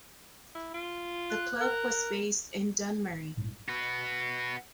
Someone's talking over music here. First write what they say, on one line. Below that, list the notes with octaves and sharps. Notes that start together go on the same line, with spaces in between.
The club was based in Dunmurry.
E4
F4
F#6
A#4
F#4 B4